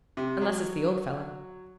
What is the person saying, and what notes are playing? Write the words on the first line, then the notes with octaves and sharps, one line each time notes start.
"Unless it's the old fellow."
C3
F#3